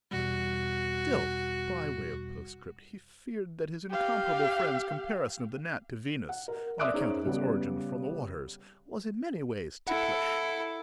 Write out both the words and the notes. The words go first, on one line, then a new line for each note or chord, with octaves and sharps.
Still, by way of postscript, he feared that his incomparable friend's comparison of the gnat to Venus, on account of its origin from the waters, was in many ways ticklish.
E2 B2 G3 F#4
G4 F5
F#5
A#4
D5 E5 D6 D#6 F#6 D7
C#4 D#4 G#4 C5 C#5
C#3 G3 B3
E4 A4 F#5